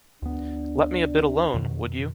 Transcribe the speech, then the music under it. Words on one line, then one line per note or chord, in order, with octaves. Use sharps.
Let me a bit alone, would you?
D2 B3 D4
F2 B2 D#3